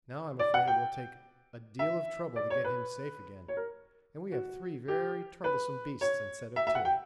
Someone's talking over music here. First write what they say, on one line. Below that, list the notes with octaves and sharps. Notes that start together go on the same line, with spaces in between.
Now I'm afraid it will take a deal of trouble to get him safe again, and we have three very troublesome beasts instead of two.
D5
F#5
G5
E5
D5
C#5
B4
C#5
A#4
F#4
G4
B4
C#5
E5
E5
F#5
G5